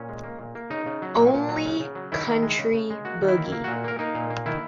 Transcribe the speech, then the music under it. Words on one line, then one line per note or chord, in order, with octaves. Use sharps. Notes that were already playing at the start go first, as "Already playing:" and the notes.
Only country boogie.
Already playing: A#2 C#4
G#3
A#3
A#2
A#3
C#3 D#4
C#3
F#3
A#2
A#2
F#3
C#3
C#3
F#3
D#3 E4
D#3
G#3
C#3
C#3
G#3
A#3 F#4
D#3
E4
A#3
A#3
F#4
A#2
A#3 A#4
A#3 D#4
A#2
A#3
D#3 E4